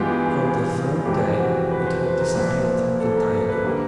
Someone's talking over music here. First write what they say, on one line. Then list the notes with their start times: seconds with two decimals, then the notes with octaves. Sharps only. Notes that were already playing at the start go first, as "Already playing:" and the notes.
From the third day it had disappeared entirely.
Already playing: G2 E3 G#3 B3 F4 G4
0.09 G#4
0.26 G#4
0.42 G#4
1.06 F2 C3 E3 G#3 G4
1.39 F#4
1.71 B4
1.87 C5
2.04 B4
2.20 A#4
2.35 C2 A#2 F3 A#3 B4
3.00 A4
3.17 A#4
3.49 B4
3.64 D3 G3 A#3 A#4